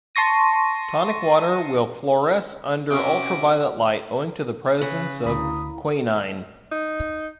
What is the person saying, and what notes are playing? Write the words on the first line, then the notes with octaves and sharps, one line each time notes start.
Tonic water will fluoresce under ultraviolet light, owing to the presence of quinine.
A5 C6 C#6 A#6 D#7
C3 C#4 F#4 D6
C#3 B4
D2 E4 F5 A#5 B5 D#6
D#4